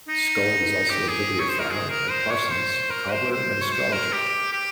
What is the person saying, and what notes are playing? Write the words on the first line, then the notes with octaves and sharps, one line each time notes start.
Scull was also a bibliophile and Parsons a cobbler and astrologer.
D#4
G4
G#4
C#5
C5
A#4
G#4
A#4
C5
C#5
C5
A#4
C5
C5
C#5
C5
A#4
G4
G4